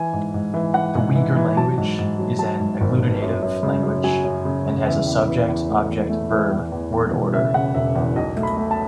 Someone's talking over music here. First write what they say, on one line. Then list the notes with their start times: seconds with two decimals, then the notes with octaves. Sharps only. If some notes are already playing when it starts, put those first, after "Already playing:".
The Uyghur language is an agglutinative language and has a subject-object-verb word order.
Already playing: E3 G#5
0.13 G#2
0.34 G#2
0.54 E3
0.74 E3 F#5
0.95 G#2
1.15 E3
1.36 E3
1.57 F#3 A5
1.77 G#2
1.99 G#2
2.19 F#3
2.39 F#3 A5
2.60 G#2
2.81 G#1
3.01 B3
3.22 F#2
3.42 F#2
3.63 C#3
3.83 F#2
4.04 F#3 G#5
4.24 F#2
4.45 C#3
4.66 C#3
4.86 E2 E5
5.07 E2
5.28 E3
5.48 E2
5.69 A3
5.89 E2
6.10 A3
6.31 E3
6.51 E2
6.72 E2
6.92 E2
7.13 E1
7.33 C#3 E5
7.54 C#3 F#5
7.75 E1 E5
7.95 E2
8.16 B1 D#5
8.36 A3
8.43 B5
8.57 A3
8.71 A5